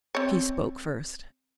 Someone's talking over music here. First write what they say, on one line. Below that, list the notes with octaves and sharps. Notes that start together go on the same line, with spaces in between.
She spoke first.
C4 C#5